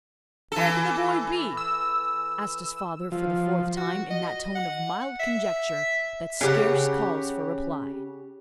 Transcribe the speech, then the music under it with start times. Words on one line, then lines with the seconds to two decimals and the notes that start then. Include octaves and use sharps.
"Where can the boy be?" asked his father, for the fourth time, in that tone of mild conjecture that scarce calls for reply.
0.52 E3 A4
1.57 E6
3.12 F3
3.77 F#4
4.10 D#5
4.55 F#5
5.19 E5
6.41 C#3 G4 F#5